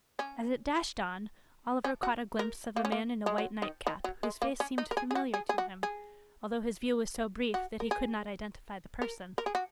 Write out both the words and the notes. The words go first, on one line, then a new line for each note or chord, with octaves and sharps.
As it dashed on, Oliver caught a glimpse of a man in a white nightcap, whose face seemed familiar to him, although his view was so brief that he could not identify the person.
C#4
C#4
F#4
A#4
A#3
C#4
A#3
G#3
F#3
D#3
D#3
F#3
G#3
A#3
C#4
D#4
A#4
G#4
G#4
F#4
G#4
G#4
F#4
G#4
F#4
A#4
G#4
A#4
A#4
G#4
F#4